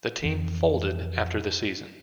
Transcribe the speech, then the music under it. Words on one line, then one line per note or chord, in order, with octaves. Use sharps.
The team folded after the season.
F2 E3